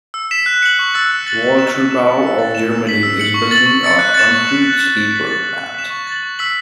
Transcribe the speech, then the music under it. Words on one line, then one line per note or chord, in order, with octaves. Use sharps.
Walterbau of Germany is building a concrete sleeper plant.
E6
B6 E7
F#6
C#7 F#7
C#6
E6 A6 F#7
F#6
A6 F#7
A6
E7
A6
E7
C#6
E6 C#7
A6
E7
E6
B6 F#7
E6
C#7 F#7
C#6
A6 F#7
C#6
E6 A6 C#7
F#6
A6 C#7 E7
C#6
F#6 B6 E7
F#6
C#7 E7
F#6
B6 F#7
A6
F#7
F#6
B6 E7
C#6
A6 F#7
C#6
E6 B6 F#7